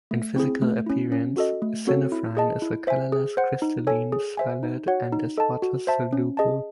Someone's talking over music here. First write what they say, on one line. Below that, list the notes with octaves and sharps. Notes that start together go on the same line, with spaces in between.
In physical appearance, synephrine is a colorless, crystalline solid and is water-soluble.
A3
C4 E4 G#4
A3
C#4 E4
C#4
F#4 A4 D#5
A3
C4 F#4 A4 C#5
E4
G#4 D#5 A5
E4
C5 E5 G#5
G#4
C5 F#5
D#4
A4 C#5 G#5
G#4
C5 E5 G#5
D#4
F#4 C#5 F#5
D#4
A4 D#5 A5
F#4
C5 E5 A5
C#4
G#4 D#5 A5